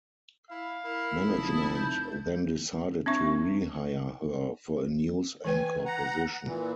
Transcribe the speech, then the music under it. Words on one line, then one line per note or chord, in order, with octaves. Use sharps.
Management then decided to rehire her for a news anchor position.
E4 F5
E4 A#4
F1 A5 D#6
G6
C4 D4 E5 C#6
E3 B4 G5 G#5
F#5 A#5
A#2 E3